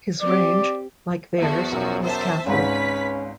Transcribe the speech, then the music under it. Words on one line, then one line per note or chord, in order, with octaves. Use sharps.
His range, like theirs, was catholic.
C4 G4 D5
E2 F3 F#4 E5 A5
B1 F#2
F#2 C5 E5 A5
G#1 C#2 G#2 C#4 B4 B6